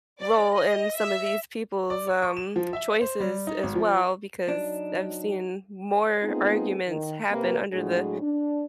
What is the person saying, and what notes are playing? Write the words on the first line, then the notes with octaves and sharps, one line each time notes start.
role in some of these people's, um, choices as well because I've seen more arguments happen under the
D5
D#5
E5
D5
C#5
C#6
E7
F3
E5
C5
G3
D#4
G#1
F3
F#3 D4 D#4
A3 B3 C4 D#4 F4 G#4
D#3
C3 A#3 B4
A2 F#3 G#3 D4 F#4 G#4
D4